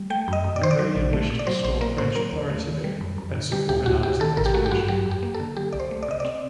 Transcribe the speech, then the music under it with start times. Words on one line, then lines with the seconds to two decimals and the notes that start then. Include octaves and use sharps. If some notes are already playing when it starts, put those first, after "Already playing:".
Napoleon wished to restore French authority there, and so organized an expedition.
Already playing: G3
0.10 A3 G5
0.28 F#2 D#5
0.44 F#2
0.56 D5
0.62 D#3 C5
0.71 D5
0.79 F#3
0.96 A#1
1.13 A3
1.30 A#2
1.39 D5
1.47 F#3 C5
1.64 A#1 C5
1.81 A#3 A#4
1.98 A2 C5
2.15 F#3 A#4
2.33 D#2
2.50 A3
2.67 D#3
2.84 G3
3.01 F#2
3.18 F#2
3.35 D3
3.52 G3 G4
3.69 D2 G4
3.86 D2 F#4
4.03 C3 G4
4.20 D#3 A4
4.37 A1 A#4
4.46 G4
4.54 A3 F#4
4.66 G4
4.71 G2 F#4
4.88 F#3 G4
5.06 F#2
5.11 G4
5.23 A#3
5.34 A4
5.40 D3
5.57 F#3 G4
5.73 C2 D5
5.80 C5
5.91 A3
6.03 D5
6.08 C3 D#5
6.20 C4 D5